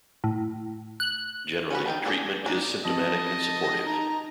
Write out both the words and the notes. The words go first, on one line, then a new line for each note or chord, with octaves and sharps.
Generally, treatment is symptomatic and supportive.
A2
F#6
C#4 F#4 B4
D#4 G5 A5
D4 G#4 A4 D5
D4 D#4
F2 D#5 A5
D#4 A#5